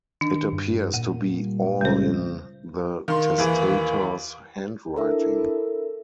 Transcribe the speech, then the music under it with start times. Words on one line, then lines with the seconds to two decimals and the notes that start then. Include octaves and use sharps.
It appears to be all in the testator's handwriting.
0.21 D#3 D4
0.53 G2
0.94 A#2 F#5
1.39 G3
1.81 C#2 G3 C5
3.08 D#3 A#4 F5 C6
3.38 D#2 E3
4.96 D4 E4 A4 A#4 E5